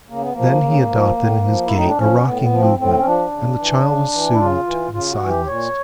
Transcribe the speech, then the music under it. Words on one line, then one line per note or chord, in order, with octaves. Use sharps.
Then he adopted in his gait a rocking movement, and the child was soothed and silenced.
C#3 A#3
B3
F3 A#3
C#3
F3
A2
F3
A2 E4
D#4
D4
F3 C#4
A2 B3
B3
F3
C4
A2 C4
C#4
F3 D4
C#3
E3
C#3
E3
E4
C#3 F4
E3
C#3 F4
F#4
E3
G4
A#2 C#5